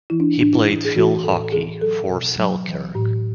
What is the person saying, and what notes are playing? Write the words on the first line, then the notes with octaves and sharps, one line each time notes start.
He played field hockey for Selkirk.
E3 E4
D4
A2 D4
E4
E3
G#4
E3 F#4
A2 A4
A4
E3 G#4
F#3 A4
B2
F#3
E3
A2